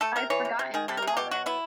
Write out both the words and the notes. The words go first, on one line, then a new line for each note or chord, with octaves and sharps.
I’ve forgotten my wallet.
A3 A4
C3 A#4
E3 C#5
C3
C3
D#3 G#4
C3 A4
A#4
C3
G#4
B2 G4
F#3 F#4
B3 E4